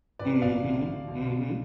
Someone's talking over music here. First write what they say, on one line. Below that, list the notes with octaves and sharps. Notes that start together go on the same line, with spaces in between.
Mhm. Mhm.
A1 B4 D5
A1 D5 F5
D2
D2
B1
B1